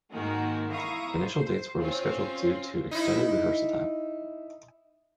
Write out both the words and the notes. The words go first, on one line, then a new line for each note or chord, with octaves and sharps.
Initial dates were rescheduled due to extended rehearsal time.
G#2 D#3 G#3 A#3 F#4
E4 F5 A#5 C#6 D#6
C5
C4 C#4 F4
D#4 E4